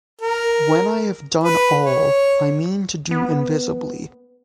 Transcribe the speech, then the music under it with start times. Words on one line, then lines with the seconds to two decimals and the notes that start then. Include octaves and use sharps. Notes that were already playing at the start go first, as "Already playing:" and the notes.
When I have done all I mean to do invisibly.
0.21 A#4
1.44 B4
1.86 C#5
3.11 B3